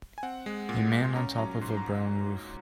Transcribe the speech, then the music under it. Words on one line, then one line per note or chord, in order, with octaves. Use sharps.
A man on top of a brown roof.
G#5
C4 F#5
G#3
A#2
A#2
C6
C#4 A#5
F#3 A#5
G#2 C6
A#5